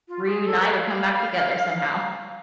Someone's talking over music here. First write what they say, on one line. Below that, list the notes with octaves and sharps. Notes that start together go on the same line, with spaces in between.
reunite or come back together somehow.
F4
F4
G#4
A4
F5